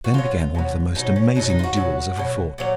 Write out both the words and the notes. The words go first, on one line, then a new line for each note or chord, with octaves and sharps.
Then began one of the most amazing duels ever fought.
F#4
B2 F#3 F4
B2 F#3
B2 F#3 D#4
C#4
B2 F#3 D#4
D#4
F4
F#4
B2 F#3
B2 F#3
A#2 F#3